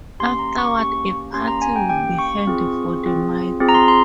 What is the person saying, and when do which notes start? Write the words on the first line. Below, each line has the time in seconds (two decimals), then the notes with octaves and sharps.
Afterward, a party would be held for the "maiko".
0.20 A#3 C#4 G4 C6
0.39 A#5
0.58 C#6
0.77 A#3 C#4 G4 C#6
1.33 A#3 C#4 G4 C6
1.47 A#5
1.62 G#5
1.76 G5
1.90 A#3 C#4 G4 G5
2.19 C#6
2.47 C4 F4 G#4
3.04 C4 F4 G#4
3.60 C4 F4 G#4
3.69 A#5
3.74 C6
3.88 C6